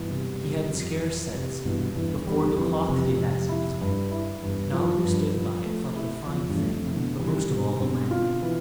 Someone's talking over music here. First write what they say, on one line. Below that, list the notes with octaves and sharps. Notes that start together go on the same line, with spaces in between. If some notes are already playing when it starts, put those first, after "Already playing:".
He had scarce said so before the cloth did as it was bid; and all who stood by thought it a fine thing, but most of all the landlady.
Already playing: G2 B2 E3
C3
G3
F2
E3
C3
G2 B2 E3
E2 G2 E3
E2 G3
F2 E3
C3
C3
E4
G2
E4
E2 G2
F3
G2
F3
A3
E4
E2 F3
E2 G2
A3
F2
C3 E4
B2 D3
C3 E3 G3
B2 D3 G3
B2 D3 C4
F4
E3